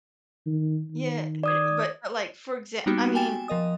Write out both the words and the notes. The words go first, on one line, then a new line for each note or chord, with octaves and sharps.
Yeah, eh but but, like, for exa I mean,
D#3
D#3
D5 D#6 G#6
G3 A#3 B3 D#4 F#4 G4
G5 G#5 A6 E7
F3 A#4 D#5 D#6